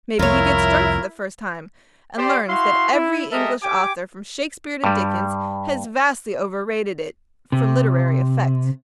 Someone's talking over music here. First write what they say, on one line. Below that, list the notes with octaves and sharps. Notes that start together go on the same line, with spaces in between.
Maybe he gets drunk for the first time and learns that every English author from Shakespeare to Dickens has vastly overrated it for literary effect.
C2 F2 E4 F4 A#4 C#5
G4 C5 D5
E4 F#4 F5 C6
E4
G#3 G4 A4 A#4 D#5 E5
G4 G5 G#5 D6
G2 G3
C3